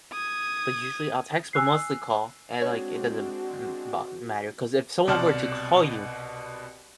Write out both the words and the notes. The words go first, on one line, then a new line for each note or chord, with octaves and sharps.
but usually, I'll text, but mostly call, and, like, it doesn't m bo matter, 'cause if someone were to call you,
D#6 G#6
G#5 E6 F#6 C7
G#3 C4 D4 F#4 C#5
C2 B2 D5 A5 C6 F6